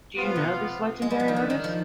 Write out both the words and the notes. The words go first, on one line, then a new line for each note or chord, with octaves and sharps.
Do you know this legendary artist?
F3 B3 F4
C3
G#3
G3
F3
D#3
D3
D#3
F3